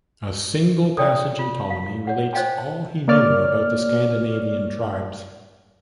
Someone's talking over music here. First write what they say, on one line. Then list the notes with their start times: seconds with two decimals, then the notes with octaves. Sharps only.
A single passage in Ptolemy relates all he knew about the Scandinavian tribes.
0.97 A4 C#5 D5 G5
1.39 F4
1.70 F5
2.07 C#5 F#5
2.33 C5 C#5 D#5 F5 G5 G#5
3.08 A#3 C#5 D5 F6